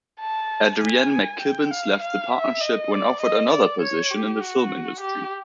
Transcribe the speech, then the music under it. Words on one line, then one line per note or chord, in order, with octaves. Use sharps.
Adrienne McKibbins left the partnership when offered another position in the film industry.
A5
G#5
G5
F5
F5
E5
D#5
D5
D#5
D5
C#5
G4
F#4
G4